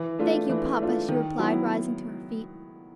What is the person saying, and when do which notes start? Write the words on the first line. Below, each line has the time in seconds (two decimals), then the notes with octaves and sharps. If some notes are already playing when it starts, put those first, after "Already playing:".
"Thank you, papa," she replied, rising to her feet.
Already playing: E3
0.19 A3 D4 F4
0.49 E3
0.79 A3 D4 F4
1.08 D#3
1.38 F#3 B3 E4